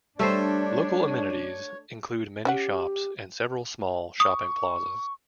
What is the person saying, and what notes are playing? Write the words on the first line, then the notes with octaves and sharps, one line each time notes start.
Local amenities include many shops and several small shopping plazas.
G3 A3 D4 A4 C5 C#5
C#4 G4 E5 F#5
C#6 D#6